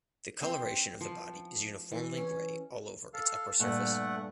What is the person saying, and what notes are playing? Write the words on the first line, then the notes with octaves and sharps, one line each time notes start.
The coloration of the body is uniformly grey all over its upper surface.
C4
F3
E3
C#4
A4 F5
G2 A#2 A3 F#5